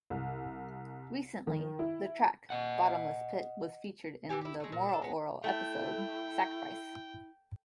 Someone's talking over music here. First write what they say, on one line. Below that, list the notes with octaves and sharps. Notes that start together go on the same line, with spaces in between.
Recently, the track "Bottomless Pit" was featured in the Moral Orel episode "Sacrifice".
C2
D#3
E4
D#5 F#5
E3 F4 G4 G#5
E4 G4
G#3 A3
A#2
D4 A4
G#3 B3
A3 E4 G5